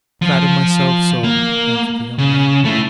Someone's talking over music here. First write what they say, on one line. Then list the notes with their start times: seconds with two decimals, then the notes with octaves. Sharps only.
"I flatter myself so," answered the young man.
0.22 F3 F4
1.24 A#3
2.18 C#3
2.65 A3 E4